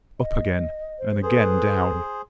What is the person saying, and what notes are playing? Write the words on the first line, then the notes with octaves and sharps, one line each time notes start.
Up again, and again down.
D#5
C5
G#4 A4 B4 C5